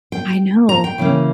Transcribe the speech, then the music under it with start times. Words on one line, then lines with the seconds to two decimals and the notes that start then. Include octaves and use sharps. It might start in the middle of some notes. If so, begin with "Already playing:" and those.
I know.
0.12 G5
0.69 A#5
0.84 G5
0.98 C#3 E3 A#3 C#4